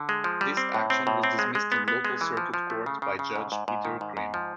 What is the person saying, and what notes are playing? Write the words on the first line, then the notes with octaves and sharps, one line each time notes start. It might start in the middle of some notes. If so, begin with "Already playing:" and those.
This action was dismissed in local circuit court by Judge Peter Grimm.
Already playing: D3
G#3
F3
G3
C4
A2
C4
A2
C4
G#3
G#3
B3
B3
G#3
E3
F3
F3
A3
C#3
C#3
C#3
G#2
G#2
G#2
D#3
G#2
G#2
F3